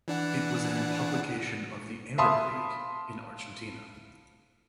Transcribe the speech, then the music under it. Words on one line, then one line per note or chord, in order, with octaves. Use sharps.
It was an publication of the Arab League in Argentina.
E3 D4 F#5
E5 F5 A5 B5 C6 D#6